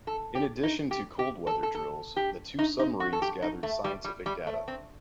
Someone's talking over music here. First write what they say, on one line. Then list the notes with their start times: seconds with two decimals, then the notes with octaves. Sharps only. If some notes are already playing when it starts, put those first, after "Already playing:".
In addition to cold-weather drills, the two submarines gathered scientific data.
0.07 A4
0.35 G4
0.63 D#4
0.91 G4
1.19 G4
1.47 A4
1.63 A4
1.75 A4
2.16 G4
2.59 D#4
2.79 D#4
3.00 F#4
3.13 A4
3.22 G4
3.42 D#4
3.63 A3
3.84 G3
4.04 G3
4.26 G3
4.47 A3
4.68 C4